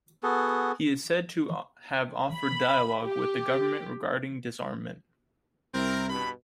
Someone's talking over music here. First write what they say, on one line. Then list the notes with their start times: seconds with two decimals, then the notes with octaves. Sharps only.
He is said to have offered 'dialogue' with the government regarding disarmament.
0.23 B3 F#4 G#4 A4
2.32 B5
3.03 G4
5.74 C2 C4 E4 A#4
6.10 G2 B2 B5